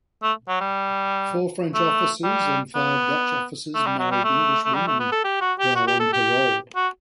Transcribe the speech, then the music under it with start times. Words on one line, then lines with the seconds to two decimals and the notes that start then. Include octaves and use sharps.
Four French officers and five Dutch officers married English women while on parole.
0.23 A3
0.48 F#3
0.61 G3
1.74 A3
2.23 G3
2.75 B3
3.75 A3
3.87 G3
3.99 F#3
4.12 G3
4.24 A3
4.65 A3
4.75 G3
4.87 A3
5.00 B3
5.12 A4
5.25 G4
5.41 F#4
5.59 G4
5.76 F#4
5.87 G4
6.00 A4
6.13 G4
6.76 F#4